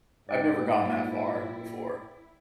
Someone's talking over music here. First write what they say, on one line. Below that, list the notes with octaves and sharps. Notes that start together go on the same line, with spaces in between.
I've never gone that far before.
G#2 E4 D5 G5
A#2